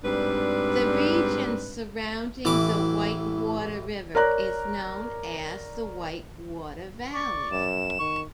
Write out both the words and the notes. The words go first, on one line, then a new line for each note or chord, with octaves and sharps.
The region surrounding the Whitewater River is known as the Whitewater Valley.
G#2 G3 C4 D4 B4
A1 E3 E4 D6
A#4 C#5 D5 A#5 F#6
D5 C#6
F#2 E7
D#3 C#6